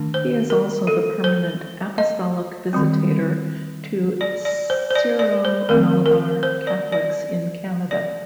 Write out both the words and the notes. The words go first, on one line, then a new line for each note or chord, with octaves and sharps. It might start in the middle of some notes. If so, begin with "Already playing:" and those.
He is also the permanent Apostolic Visitator to Syro-Malabar Catholics in Canada.
Already playing: D#3 A3 D4
C5
A#4
A4
C5
D#5
D#3 G3 C4
D5
D5
C5
C5
D5
D5
C5
D#3 A3 C4 A#4
A#4
C5
D5
D5
D5